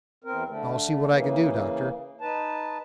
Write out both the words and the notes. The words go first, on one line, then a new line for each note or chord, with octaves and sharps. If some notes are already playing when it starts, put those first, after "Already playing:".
"I'll see what I can do, Doctor."
E2 C4 A#4
D3 A3
C#3 E3 A#3
D#4 B4 A5